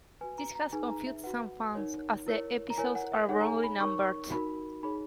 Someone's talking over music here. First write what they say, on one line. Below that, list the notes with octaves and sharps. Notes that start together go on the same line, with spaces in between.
This has confused some fans, as the episodes are wrongly numbered.
F#4 B4 G#5
A#5
A#5
D#4 G#4 B4 G#5
A#5
E5
F#4 B4 F#5
D#4 A#4 C#5
E4 A#4 C#5
A#5
E4 A#4 C#5 G#5
F#5
E5
D#4 G#4 C#5 F#5
A#5
G#5
B5
D#4 A#4 C#5 C#6
D#4 F#4 A#4 B5
D#4 G#4 C#5 B5